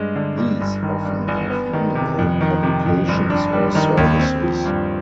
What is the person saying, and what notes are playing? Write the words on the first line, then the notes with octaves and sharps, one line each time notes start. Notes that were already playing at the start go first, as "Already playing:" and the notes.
These often have minimal publications or services.
Already playing: G2 G#3
D3
G2
G1
D#3
G2
G1
B3
D#3
C3
F2
D#3
C3
F2
G1
D4
G3
D#3
D#2
C4
F3
G2